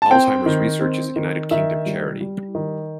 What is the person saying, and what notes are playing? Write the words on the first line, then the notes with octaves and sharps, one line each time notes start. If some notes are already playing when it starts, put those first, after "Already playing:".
Alzheimer's Research is a United Kingdom charity.
A5
C4 G5
D#3
C4
D#3
D#3 E5
G3
G3
D#3